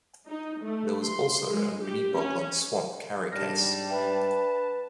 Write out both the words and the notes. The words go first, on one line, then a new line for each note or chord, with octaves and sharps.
There was also a Mini Boglins Swamp Carry Case.
D#4
A3
C6
G#3
G4
C#4
G#2 G3 D4 A5 F6 A#6
B4 E5 G5